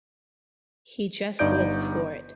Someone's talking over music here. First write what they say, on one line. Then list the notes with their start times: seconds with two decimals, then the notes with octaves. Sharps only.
He just lives for it.
1.39 G1 G2 D#4 D5 G6 D7